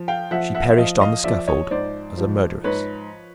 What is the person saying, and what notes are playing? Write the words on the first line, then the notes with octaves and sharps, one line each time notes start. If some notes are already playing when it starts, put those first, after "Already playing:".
She perished on the scaffold as a murderess!
Already playing: F3
F5 G5
F3 E5 F#5
E5 F#5
E5
F3 D#5 F5
D#5 F5
F3 D5 E5
C#5 D#5
G#2 C5 D5
F3
G#2 B4 C#5